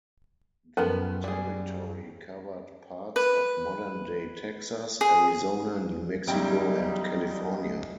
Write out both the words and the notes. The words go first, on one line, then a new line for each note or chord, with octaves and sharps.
The territory covered parts of modern-day Texas, Arizona, New Mexico, and California.
F#2 F3 B3 C#4 A4 A#4 A5
G3 G#4 B6
B4
G#4
E2 C#3 F#3 G3 D#4 E4 G5